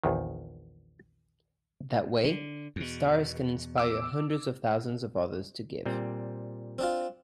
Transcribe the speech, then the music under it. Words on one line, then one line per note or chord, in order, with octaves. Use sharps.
That way stars can inspire hundreds of thousands of others to give.
A#1 E2 D#3
D3
E2 B2
D6 E6
A#2 G3 C4
C4 D4 F4